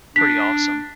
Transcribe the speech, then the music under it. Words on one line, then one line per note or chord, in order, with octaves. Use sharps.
pretty awesome.
D4 B6